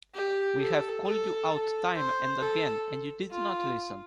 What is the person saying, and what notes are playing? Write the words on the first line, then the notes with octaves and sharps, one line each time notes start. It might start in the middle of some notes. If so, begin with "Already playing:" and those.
We have called you out time and again, and you did not listen.
G4
A4
A4
A4
C5
A4
F4